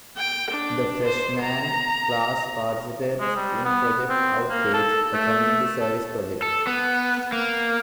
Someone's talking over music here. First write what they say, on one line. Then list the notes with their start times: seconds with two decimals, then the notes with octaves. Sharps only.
The freshman class participates in Project Outreach, a community service project.
0.17 G5
0.51 D4
1.04 C5
1.42 A#5
3.20 G#3
3.36 G3
3.65 B3
4.10 C4
4.50 A#3
4.74 A4
5.14 A3
5.81 A4
6.42 A4
6.67 B3
7.32 A#3